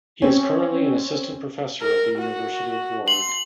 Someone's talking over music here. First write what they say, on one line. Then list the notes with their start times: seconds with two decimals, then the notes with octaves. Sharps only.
He is currently an Assistant Professor at the University of Warwick.
0.22 C4 C#4
1.82 A#4
2.18 F#4
3.08 C6 F#7